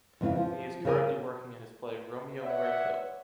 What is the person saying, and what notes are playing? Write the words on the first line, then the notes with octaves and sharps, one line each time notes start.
He is currently working in his play ‘Romeo Muerto’.
F2 C#3 B3 E4
F3
C#3 G#4 A#4 G#5
B4 C#5 D5 E5 F#5